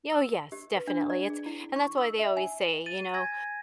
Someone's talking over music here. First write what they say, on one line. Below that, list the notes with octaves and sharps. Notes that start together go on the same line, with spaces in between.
Oh, yes. Definitely. It's and that's why they always say, you know,
E6
G4
B4
D4
D5
G#4
E4
C#6
E6
E5
G#5
A6 D#7
G#5 G#6 A#6